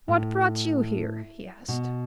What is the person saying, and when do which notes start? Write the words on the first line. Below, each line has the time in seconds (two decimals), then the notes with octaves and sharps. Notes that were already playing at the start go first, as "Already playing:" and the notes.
"What brought you here?" he asked.
0.08 A2
1.68 B2